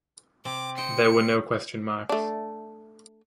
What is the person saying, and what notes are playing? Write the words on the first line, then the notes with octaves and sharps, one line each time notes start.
There were no question marks.
C3 C4 D6
C5 D#5 G5 C#7
A3 D4